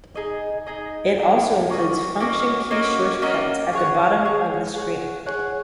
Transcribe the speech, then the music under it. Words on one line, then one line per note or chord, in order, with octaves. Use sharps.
It also includes function key shortcuts at the bottom of the screen.
D#4 G#4 D#5
D#4 G#4 D#5
D#4 G#4 D#5
A#3 C#4 F#4 D#5
A#3 C#4 F#4 D#5
A#3 C#4 F#4 D#5
A#3 C#4 F#4 D#5
G#4 C#5 F#5
G#4 C#5 F#5
G#4 C#5 F#5
G#4 C#5 F#5